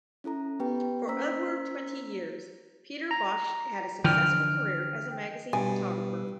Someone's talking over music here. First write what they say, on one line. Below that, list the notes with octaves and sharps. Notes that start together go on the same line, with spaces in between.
For over twenty years, Peter Basch's had a successful career as a magazine photographer.
C#4 E4 A4 A#5
B3 G4 B4 G5
A#3 C#4 C5 A#5 E6 B6
A#5
D3 E3 F3 G5 F6
G2 B2 G#5